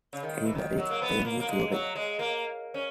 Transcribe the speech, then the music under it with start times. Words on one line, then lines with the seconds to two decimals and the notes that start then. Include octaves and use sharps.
He married Angie Furey.
0.13 C#3
0.23 D#3
0.45 E3
0.55 D#3
0.78 F#3
0.90 A#3
1.02 B3
1.25 A#3
1.40 A#3
1.49 G#3
1.72 F#3
1.95 G#3
2.19 A#3
2.74 C#4